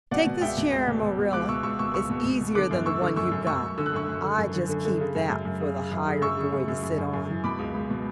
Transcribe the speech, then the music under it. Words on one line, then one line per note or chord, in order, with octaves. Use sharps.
Take this chair, Marilla; it's easier than the one you've got; I just keep that for the hired boy to sit on.
B2 D5 F#5
B2
C#2 E5 G5
B2
C#2
B2
B2
B2
C#2 D6 F#6
B2 C#6 E6
C#2 C#6 E6
B2 C#6 E6
C#2 C#6 E6
B2
B2
B2
D3 D6 F#6
F#2
F#2 C#6 E6
D3
F#2 C#6 E6
F#2
F#2 C#6 E6
F#2
D3 E6
F#6
F#2 C#6 E6
F#2
D3
F#2
D3
D3
D3
C#3
F#2
F#2
F#2
C#3
C#3
F#2
C#3
F#2 C#6 E6
C#3
F#2
F#2
F#2
F#2
F#2
E3
B2 B5 D6
C#2
C#2
B2